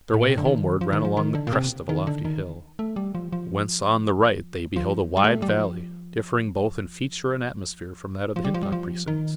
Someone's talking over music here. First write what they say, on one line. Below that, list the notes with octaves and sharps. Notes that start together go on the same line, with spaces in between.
Their way homeward ran along the crest of a lofty hill, whence on the right they beheld a wide valley, differing both in feature and atmosphere from that of the Hintock precincts.
A2
A#2
C3
D3
D#3
F3
D#3
F3
D#3
D3
A#2
C3
D#3
D3
D#3
A3
G3
F3
F3
F3
G3
A3
G3
F3
F3
G3
F3
G3
F3
D#3